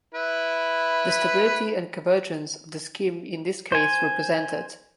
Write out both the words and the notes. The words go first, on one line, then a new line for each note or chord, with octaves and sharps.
The stability and convergence of the scheme in this case were presented.
E4 B4
C5 G#5